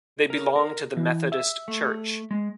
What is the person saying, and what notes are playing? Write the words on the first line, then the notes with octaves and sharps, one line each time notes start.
They belonged to the Methodist Church.
A#4
A#4
E3
E5
A3
G#3